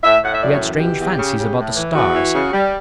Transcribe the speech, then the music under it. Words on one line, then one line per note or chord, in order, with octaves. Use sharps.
We had strange fancies about the stars.
A2 E5
A2 F#5
E5
F#2 D5
C#5
E3
B2 G4
E2
C#3
C#3
A2
E3
E2 F#4
E3
C#3
G3